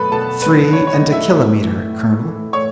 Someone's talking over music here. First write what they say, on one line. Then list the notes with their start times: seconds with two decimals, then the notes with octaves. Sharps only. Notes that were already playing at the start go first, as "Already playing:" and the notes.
"Three and a kilometre, colonel."
Already playing: B2 F#3 A3 A4 B4 B5
0.12 B2 A4 A5
0.42 F#3 A3 B4
0.72 B2 C#5
0.87 C#5
0.93 D#4 D#5
1.02 F#3 A3
1.12 E4 E5
1.33 A2
1.63 E3 A3
1.93 A2
2.24 E3 A3
2.53 A2 C#5 C#6